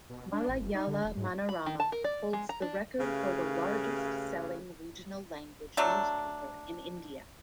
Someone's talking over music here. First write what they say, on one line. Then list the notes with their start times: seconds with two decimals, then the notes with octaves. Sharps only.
"Malayala Manorama" holds the record for the largest selling regional language newspaper in India.
0.10 B2
0.32 D4
0.48 A1
0.60 F#1
0.74 D#4
0.87 D3
1.05 E1
1.17 G#2
1.49 B5
1.66 D#3
1.80 A5
1.92 A#4
2.04 D5
2.33 G#3
2.49 A#5
2.62 D4
3.00 C#3 A3 G4 B4 C#5 F5
5.77 F#3 A3 D4